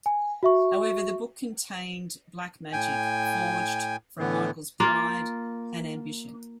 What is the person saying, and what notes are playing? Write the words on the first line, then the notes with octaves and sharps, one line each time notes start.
However, the book contained black magic forged from Michael's pride and ambition.
G#5
F#4 E5 C#6
A2 G5 G#5
A2 D3 E3 B3
A#3 F4